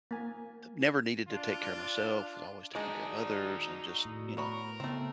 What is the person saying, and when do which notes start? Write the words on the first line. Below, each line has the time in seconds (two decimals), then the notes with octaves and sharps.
never needed to take care of myself, was always taking care of others, and just, you know?
0.11 A#3 G#5
1.28 D4 F4
2.75 G#3 D4 D#4 F#4 G#4 D5
4.05 A2
4.37 B3 A#4 C#5 B5
4.80 C#3 A3 B3 C4